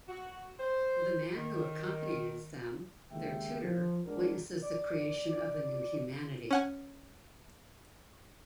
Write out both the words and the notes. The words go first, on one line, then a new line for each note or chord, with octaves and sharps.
The man who accompanies them, their tutor, witnesses the creation of a new humanity.
F#4
C5
D#3
D#2 C#3 G#3 E5 G5
F3
G#3 D4 F#4 A#4
D5
D5
C#4 F#5 G#5